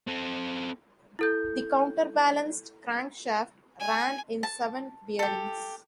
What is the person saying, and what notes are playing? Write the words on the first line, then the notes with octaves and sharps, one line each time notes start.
The counterbalanced crankshaft ran in seven bearings.
C4 A4
E4 A4 G6
G#5
A5
G4 A4